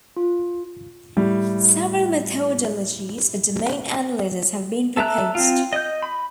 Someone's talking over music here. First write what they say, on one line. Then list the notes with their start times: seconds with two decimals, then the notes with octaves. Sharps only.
Several methodologies for domain analysis have been proposed.
0.17 F4
1.17 A2 G3
4.97 A4 E5 A#5 F#6
5.35 C4 F4
5.73 D#5 G6
6.03 B5